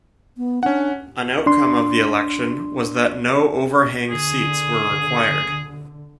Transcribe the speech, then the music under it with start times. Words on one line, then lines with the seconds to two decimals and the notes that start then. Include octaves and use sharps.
An outcome of the election was that no overhang seats were required.
0.37 B3
0.63 C#4 D4 F#5
1.46 D4 C6
4.10 D3 G#4